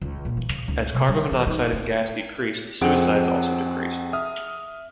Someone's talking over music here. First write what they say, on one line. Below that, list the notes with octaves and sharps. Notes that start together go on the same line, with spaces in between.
As carbon monoxide in gas decreased, suicides also decreased.
C#2
A#1
E3
C#3
C#2
C3
G3
E3
D#4
C4
F2 C4 G#4 F#5 D7
E5 D#6 F6